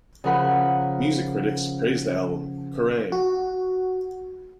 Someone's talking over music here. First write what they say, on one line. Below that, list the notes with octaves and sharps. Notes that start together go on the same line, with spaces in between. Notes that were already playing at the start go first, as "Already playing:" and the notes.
Music critics praised the album; Kerrang!
C#3 F3 A#4 F#5 B5
F#4